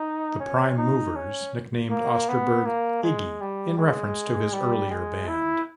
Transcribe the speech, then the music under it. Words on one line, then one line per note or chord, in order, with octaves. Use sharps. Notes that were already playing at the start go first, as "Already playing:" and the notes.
The Prime Movers nicknamed Osterberg "Iggy" in reference to his earlier band.
Already playing: D#4
C#4
D#4
C#4
A#3
B3
A#3
G#3
G3
G#3
G3
G#3
E4